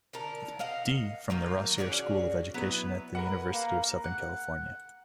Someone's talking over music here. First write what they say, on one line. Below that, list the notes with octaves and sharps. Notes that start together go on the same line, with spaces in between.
D. from the Rossier School of Education at the University of Southern California.
D3 A4 A#4
D#5 F5 F#5
D#3 F#3 A#3
C#4 F#4 G#4 D5
F#3 B3 E4
A#4 B4 F#5
A#3 F5 A#5
F#5